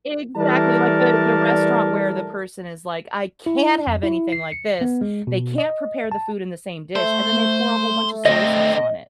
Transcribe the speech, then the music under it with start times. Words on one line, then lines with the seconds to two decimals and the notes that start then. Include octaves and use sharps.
Exactly, like the the restaurant where the person is like, "I can't have anything like this, they can't prepare the food in the same dish." And then they pour a whole bunch of soy sauce on it,
0.37 E3 G3 A3 A#4 D5 A5
3.46 E4
3.87 F2
4.03 E4
4.32 C7
4.52 C#7
4.81 B3
5.01 G#3
5.27 B2
5.58 D#5
6.12 A5
6.96 A3 C5
8.25 D3 C4 D#5